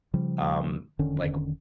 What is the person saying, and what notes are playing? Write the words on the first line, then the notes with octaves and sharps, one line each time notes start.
um, like,
C#3 F3 G3
E1 D3 D#3 C#4